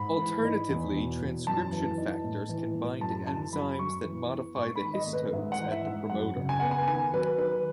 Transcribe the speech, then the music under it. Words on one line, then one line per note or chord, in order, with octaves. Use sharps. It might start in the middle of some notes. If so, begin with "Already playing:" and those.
Alternatively, transcription factors can bind enzymes that modify the histones at the promoter.
Already playing: G#2 B5
E3
D#4
E2
B2
E2
F#2 A5
E3
D#4
A2
E3
A2
F#2 A5
E3 A5
F#2 B5
F#2 C#6
E3
B3
G#2 C#6
B5
D#3
D#5
A3
B4
G#2 E5
F#5
E3
E5
G#2
F#2 F#5
C#3
G#5
B3 F#5
G#5
D#3 G#5
F#3 B4
D#3 B4